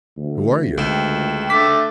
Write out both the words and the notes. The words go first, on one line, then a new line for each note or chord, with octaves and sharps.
"Who are you?"
D2
C#2 C#3 G5 E7
D3 A3 D6 B6